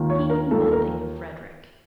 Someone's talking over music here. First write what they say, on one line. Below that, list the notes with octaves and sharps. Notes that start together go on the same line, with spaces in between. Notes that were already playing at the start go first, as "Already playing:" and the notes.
He knew nothing of Frederick.
Already playing: D#2 D#3 A#3 F4
C#5
A#4
D#2 D#3 A#3 F4 A4
A4
A#4